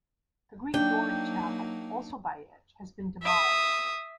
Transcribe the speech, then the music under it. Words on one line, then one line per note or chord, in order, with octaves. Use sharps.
The Greek Doric chapel, also by Edge, has been demolished.
F#3 A#3 D4 D#4 G5
E5 D#6